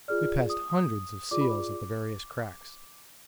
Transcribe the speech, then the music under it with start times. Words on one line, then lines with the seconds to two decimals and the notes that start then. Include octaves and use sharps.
We passed hundreds of seals at the various cracks.
0.08 F4 G#4 D5 F6
0.50 D#6
0.70 D#6
1.31 F4 G#4 D5 D6
1.41 B5
1.50 D6